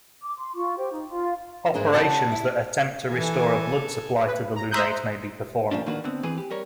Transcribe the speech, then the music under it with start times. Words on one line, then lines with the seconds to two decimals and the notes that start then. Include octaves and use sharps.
Operations that attempt to restore a blood supply to the lunate may be performed.
0.23 D6
0.37 C6
0.54 F4 C#6
0.76 G4 C5
0.92 D#4
1.08 F4
1.74 G#2 A#3 D4 G#4
1.93 C#3 F#4 D5 F#5 A5
2.32 E4
3.10 E3 A4 G#5
4.27 B4
4.56 A#5
4.71 C5 E5 A#5 D#6 F#6 G6
5.71 A#2 F3 C#4 D4
5.86 D#3 A#3 D4 F#4 B4
6.04 D3 B3 C4
6.23 E3 C4 G#4 B4
6.37 G4
6.51 G3 A#4 C#5